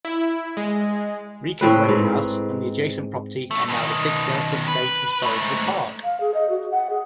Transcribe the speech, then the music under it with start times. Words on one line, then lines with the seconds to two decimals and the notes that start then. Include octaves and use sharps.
Rika's Roadhouse and the adjacent property are now the Big Delta State Historical Park.
0.05 E4
0.57 G#3
1.61 A2 C4 B4
1.89 G#2
3.51 G2 A3
3.69 B2 D#3
4.68 B4
5.22 G#2 A3
6.04 F5
6.20 G#4
6.34 D#5
6.49 F#4
6.71 F#5
6.90 G#4